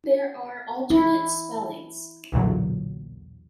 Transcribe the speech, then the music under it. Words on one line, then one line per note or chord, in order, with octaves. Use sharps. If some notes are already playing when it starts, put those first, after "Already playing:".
There are alternate spellings.
E4
B1 E2 A#2 D3 F#3